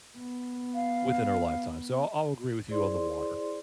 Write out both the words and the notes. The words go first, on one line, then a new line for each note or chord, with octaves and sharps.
within our lifetime. So, I'll I'll agree with you on the water.
B3
F5
E4 G#4 C5 D5 C6